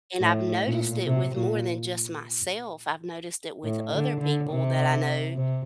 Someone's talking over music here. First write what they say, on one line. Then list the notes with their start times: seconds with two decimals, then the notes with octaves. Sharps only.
and I've noticed it with more than just myself, I've noticed it with other people that I know,
0.20 A2
0.63 A#2
1.07 C3
1.35 A#2
3.64 A2
3.93 D3
4.20 D3
4.50 C3
5.35 C3